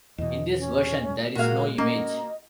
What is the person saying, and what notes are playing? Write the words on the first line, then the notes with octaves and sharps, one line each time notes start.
In this version there is no image.
E2 B2 D#5
C#4
A#2 G#3 F#4 A#4 F5
A#3 C#4 F#4 D#5